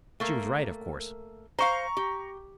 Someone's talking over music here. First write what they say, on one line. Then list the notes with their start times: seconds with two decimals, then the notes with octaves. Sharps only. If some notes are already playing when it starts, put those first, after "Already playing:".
She was right, of course.
0.20 A3 A#3 A#4
1.59 C5 F5 A#5 C#6
1.97 G4